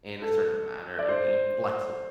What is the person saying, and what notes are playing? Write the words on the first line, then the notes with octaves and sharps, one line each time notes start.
in a certain matter, and being flexible;
A4
D5
C5